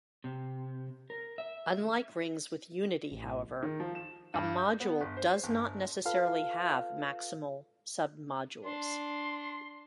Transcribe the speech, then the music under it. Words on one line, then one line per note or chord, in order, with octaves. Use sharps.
Unlike rings with unity however, "a module does not necessarily have maximal submodules".
C3
A#4
E5
A1
D#3
F3
E7
G2
G6
B3
G1
C5
G1
F4 A4 B4 F5
D4 C6